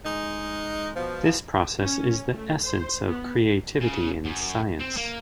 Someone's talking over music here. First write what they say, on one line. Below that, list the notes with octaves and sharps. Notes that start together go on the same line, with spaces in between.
This process is the essence of creativity in science.
G#3 D#4
B2 F3
C#4
A3
C5
B3
C#3
F#2
C4
A#3